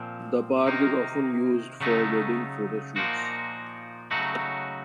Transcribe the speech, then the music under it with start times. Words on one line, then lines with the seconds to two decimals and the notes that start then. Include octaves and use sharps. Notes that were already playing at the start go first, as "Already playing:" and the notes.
The park is often used for wedding photo shoots.
Already playing: A#2 F3 C4
0.66 C3 D#3 A#3 D#4
1.81 C#3 F#3 A3 D#4
2.96 A#2 F3 A#3 D#4 F#4
4.11 C#3 F#3 A3 D#4 F#4